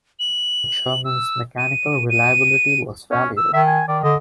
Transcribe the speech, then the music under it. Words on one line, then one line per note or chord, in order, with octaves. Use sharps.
The Sherman's mechanical reliability was valued.
F#7
E6
D#7
D#7
C#4
E6
D#3 E5
G#5
D#3 D5
D3 D#5